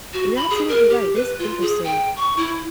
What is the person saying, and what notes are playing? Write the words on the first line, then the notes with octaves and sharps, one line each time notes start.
and you're absolutely right, it is interesting.
F#4
B5
G#4
A#4
G4
B4
F4
G#4
G5
C#6
E4